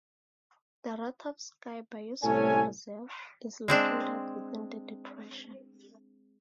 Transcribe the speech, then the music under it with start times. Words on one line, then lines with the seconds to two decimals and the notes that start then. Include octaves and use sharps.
The Rostovsky Biosphere Reserve is located within the Depression.
2.23 C2 A2 C#4 A4 C#5 G#5
3.68 G#3 C4 D4